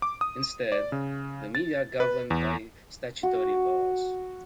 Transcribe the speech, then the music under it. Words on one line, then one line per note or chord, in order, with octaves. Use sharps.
Instead, the media are governed by statutory laws.
D6
D#6
D5
C#3
A6
B4
E2
F#4